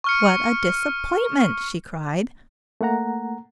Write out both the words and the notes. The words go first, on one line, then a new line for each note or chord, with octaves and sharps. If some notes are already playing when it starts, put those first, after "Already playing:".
"What a disappointment!" she cried.
C#6 F6 C#7
A3 A#3 F#5 A#5